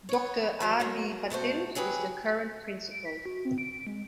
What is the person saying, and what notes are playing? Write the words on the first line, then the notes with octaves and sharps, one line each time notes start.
Doctor R. B. Patil is the current Principal.
B3 C#5
E3 F#3 A3
F#3 A#3
B2 A3 F#4 C5
C#3 F#3 G4 G#4 B4
D7
B6
F#4
C4
D7
G#3